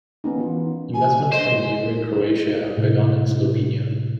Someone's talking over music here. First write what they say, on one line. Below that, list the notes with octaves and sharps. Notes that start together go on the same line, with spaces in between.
Investments from neighboring Croatia have begun in Slovenia.
B3 C#4 D#4
E3 F4
A#3 G4 G#5
C5 D#5
A2 C3